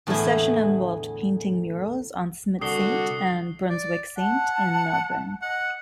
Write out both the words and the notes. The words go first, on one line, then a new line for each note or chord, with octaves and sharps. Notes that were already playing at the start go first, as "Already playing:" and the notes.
The session involved painting murals on Smith Saint and Brunswick Saint in Melbourne.
E2 A2 D3 B3 E4 G#4
C2 D3 F#4 D#6 C7 G7
D5
F#5 A5
D#5 F#5